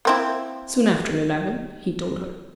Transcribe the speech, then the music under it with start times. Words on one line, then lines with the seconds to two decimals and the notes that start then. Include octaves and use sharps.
"Soon after eleven," he told her.
0.05 A#3 C4 E4